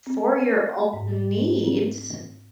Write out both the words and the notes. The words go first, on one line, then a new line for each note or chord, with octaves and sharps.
for your own needs,
C4
G#2
C4